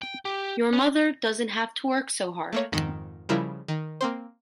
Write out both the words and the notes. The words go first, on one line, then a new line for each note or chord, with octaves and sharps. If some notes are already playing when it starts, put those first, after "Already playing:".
Your mother doesn’t have to work so hard.
G5
G4
C#4
A3 A#3 C#5
F2 G#2 D#3
C#3 F3 G3 E4 A#4
D#3
A#3 C4 C5